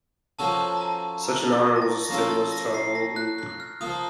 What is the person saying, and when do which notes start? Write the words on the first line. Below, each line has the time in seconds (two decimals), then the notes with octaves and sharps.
Such an honour was a stimulus to our whole group.
0.39 F3 A#3 C#4 F#4 A4 A5
0.77 A#5
0.81 A5
1.24 A#5
1.52 C#6
1.76 A#6
1.82 A6
2.05 A#6
2.09 F3 A#3 C#4 F4 A4 A6
2.30 A6
2.52 A#6
2.74 C7
2.95 A#6
3.16 F#6
3.38 F#6
3.60 F6
3.81 F3 A#3 F4 D#6